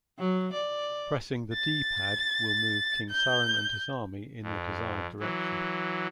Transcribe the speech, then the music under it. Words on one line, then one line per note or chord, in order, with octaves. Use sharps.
Pressing the D-Pad will move King Suren and his army in the desired direction.
F#3
D5
A6
G6
F2
E3 F#3